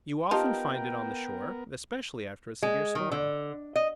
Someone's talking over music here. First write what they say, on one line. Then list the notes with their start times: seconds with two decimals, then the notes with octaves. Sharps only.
You often find it on the shore, especially after a severe storm.
0.31 B3 D#4 F4 G4 A#4 G5 A5
2.63 G#3
2.95 D#3
3.12 D3
3.76 D#5